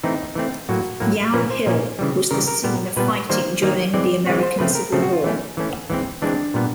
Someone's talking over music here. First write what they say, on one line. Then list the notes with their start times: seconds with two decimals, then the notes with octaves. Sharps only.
Yow Hill was the scene of fighting during the American Civil War.
0.04 E3 A3 C4 D#4
0.35 E3 A3 C4
0.69 A2 F#3 A#3 F#4
1.00 A2 F#3 A#3
1.33 A#2 F3 A#3 C#4 B4
1.50 C5
1.66 A#2 F3 A#3 C#4
1.99 C#3 E3 G3
2.31 C#3 E3 G3 A#4
2.48 A#4
2.64 A#2 G3 B3
2.97 A#2 G3 B3 B4
3.29 D#3 G3 A#3 C5
3.62 D#3 G3 A#3
3.94 E3 G#3 C4 D5
4.27 E3 G#3 C4 C#5
4.43 C5
4.59 C#3 F3 A3 C4 B4
4.75 A#4
4.92 C#3 F3 A3 C4 A4
5.02 F#4
5.13 F4
5.24 E3 A3 C#4
5.57 E3 A3 C#4
5.90 E3 G#3 C4
6.22 E3 G#3 C4 D4
6.54 A#2 G3 B3